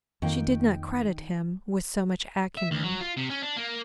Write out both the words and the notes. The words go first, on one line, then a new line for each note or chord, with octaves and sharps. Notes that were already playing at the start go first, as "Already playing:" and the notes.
She did not credit him with so much acumen.
F2 D#3 A#3 G5
E5
D2
F#3
F4
C3
C#4
D4
A#3